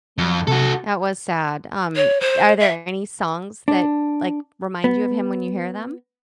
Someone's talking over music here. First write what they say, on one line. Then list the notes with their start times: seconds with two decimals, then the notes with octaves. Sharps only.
yeah, that was sad. Um, are there any songs that, like, remind you of him when you hear them?
0.18 F2
0.48 C3 F#4 A4
1.95 C#5
2.20 C5
2.60 E5
3.68 D4
4.84 B3